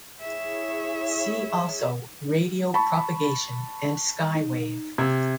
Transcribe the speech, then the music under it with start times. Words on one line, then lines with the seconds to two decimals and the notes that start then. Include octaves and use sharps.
See also Radio Propagation and Skywave.
0.21 E4 G#4 C#5 E5
2.74 A5 B5 C#6
4.35 D#4
4.98 C3 E6 G#6